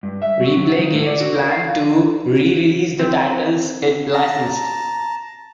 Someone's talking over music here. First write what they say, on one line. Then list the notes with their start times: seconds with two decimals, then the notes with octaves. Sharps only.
Replay Games planned to re-release the titles it licensed.
0.03 G2
0.22 E5
0.40 F#3
0.58 F#3
0.78 D#3
0.93 A2
1.06 D5
1.20 F#4
1.35 A#4
1.51 F5
2.99 C4
4.14 A5 A#5